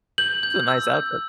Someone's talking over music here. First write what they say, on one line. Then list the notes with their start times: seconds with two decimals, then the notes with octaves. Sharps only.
It's a nice outfit.
0.18 G6 F#7
0.43 G6
0.68 E6
0.94 G6